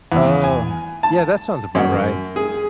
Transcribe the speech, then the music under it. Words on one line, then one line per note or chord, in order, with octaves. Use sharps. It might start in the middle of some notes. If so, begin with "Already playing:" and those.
Oh, yeah, that sounds about right.
E2
G#5
A5
F#2
G#4